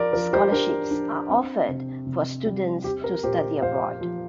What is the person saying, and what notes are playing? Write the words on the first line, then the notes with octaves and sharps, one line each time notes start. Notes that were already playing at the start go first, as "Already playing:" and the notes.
Scholarships are offered for students to study abroad.
Already playing: F3 A#4 D5
F3 A#4
G4 C5
D4 A#4
D4
C4
C3
C3
G3
C4 G4
A#4
A#2 G4 C5
A#2 C5 F5
F3